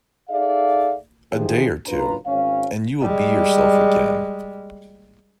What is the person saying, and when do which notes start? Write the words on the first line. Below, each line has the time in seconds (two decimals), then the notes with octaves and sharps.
A day or two, and you will be yourself again.
0.29 D#4 G#4 A4 D5 E5 F5
1.33 D3 D#3 F3 E4 G4 G#4
1.87 F#1 D4 F4 B4 A#5
2.26 G#1 C#4 F5
3.01 G3 G#3